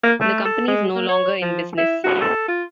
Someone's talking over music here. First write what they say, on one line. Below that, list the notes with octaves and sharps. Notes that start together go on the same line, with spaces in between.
The company is no longer in business.
A#3
A3
A4
G#3
A#3
C#5
F3
E4
F#4
A4
F4